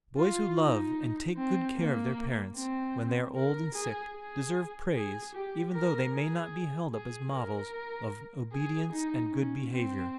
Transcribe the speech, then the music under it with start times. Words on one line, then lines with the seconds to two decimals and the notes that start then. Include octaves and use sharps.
Boys who love and take good care of their parents when they are old and sick, deserve praise even though they may not be held up as models of obedience and good behavior.
0.17 F4
0.57 D#4
1.37 C4
1.77 A#3
2.56 C4
3.36 A#4
3.75 G#4
4.15 G#4
4.95 G#4
5.34 G4
5.74 A#4
6.13 G#4
6.94 G#4
7.33 A#4
8.53 G#4
8.92 D#4
9.32 C#4
9.71 C4